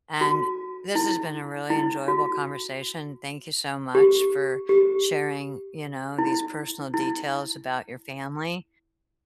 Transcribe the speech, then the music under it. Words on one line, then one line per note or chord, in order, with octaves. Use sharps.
and this has been a really enjoyable conversation. Thank you so much for sharing, you know, these personal details about your family,
F#4
E4
E4
F#4
G4
G4
E4
E4